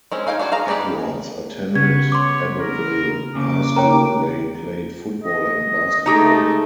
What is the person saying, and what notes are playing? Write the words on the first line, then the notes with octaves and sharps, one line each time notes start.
Edwards attended Abbeville High School, where he played football and basketball.
G#3 C4 C#4
D#4 F5 G5 G#5
D4 F4 F#4 G#5
G#4 F5 A#5
D4 D#4 G4 G#4 B4
C#3 B3 C#6 G#6
C#5 C6 D6
A#4
A#2 C#3 D6
A#4 C#5 G5 A#5
D#5
G#3 A3 D#4 G4 G#4